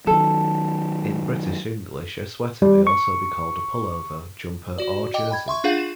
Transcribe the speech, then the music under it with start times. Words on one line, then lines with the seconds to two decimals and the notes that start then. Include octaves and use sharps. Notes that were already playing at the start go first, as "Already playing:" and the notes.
In British English, a sweater may also be called a pullover, jumper or jersey.
0.07 D#3 F#3 A4
2.62 G3
2.87 C#6
4.78 F#4 D5
5.14 D#5 G5 D6
5.31 G5 B5 G#6
5.48 E5 C6 C#6
5.64 D4 F4 G#4 F5 F#5 G6
5.78 E7